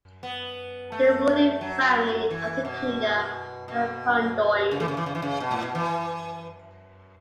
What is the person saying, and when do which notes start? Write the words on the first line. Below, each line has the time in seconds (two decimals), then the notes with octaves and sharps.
The ruling family of the Kingdom are the conDoins.
0.23 B3
0.92 A3
1.61 F#3
2.30 E3
2.65 B2
3.68 B2
4.71 C#3
4.80 E3
4.88 C#3
4.97 E3
5.06 C#3
5.15 E3
5.22 C#3
5.40 B2
5.51 A2
5.62 B2
5.75 E3